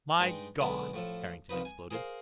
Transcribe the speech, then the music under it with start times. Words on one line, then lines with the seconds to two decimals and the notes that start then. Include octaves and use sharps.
"My God!" Harrington exploded.
0.20 G2 G#3 D#4 G5
0.60 B1 D3 G#3 B3 E4 A5
0.94 A2 F3 A4
1.49 C2 F3 D#4 B4
1.65 G#5
1.91 G#4 A#4 C5 F5